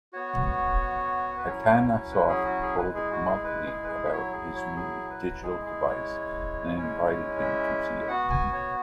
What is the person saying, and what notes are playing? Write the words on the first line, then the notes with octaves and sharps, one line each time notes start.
Atanasoff told Mauchly about his new digital device and invited him to see it.
B3 F#4 C#5
B4
F#3 C#4 E4 C#5
B4
G#4
F#4
G#4
G#3 E4 B4
G#4
F#4
G#4
B4
G#4
B4
G#4
E5
F#3 E4 C#5
G#4
C#5
G#4
B4
G#3 E4 G#4
G#4
C#5
G#3 C#4 E4
C#5
E5
E5
B3 F#4 F#5
G#5
C#5